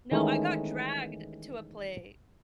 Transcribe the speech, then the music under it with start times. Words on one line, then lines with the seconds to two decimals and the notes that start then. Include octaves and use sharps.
No, I got dragged to a play.
0.12 D#3 E3 G#3 A3 C#4 D#4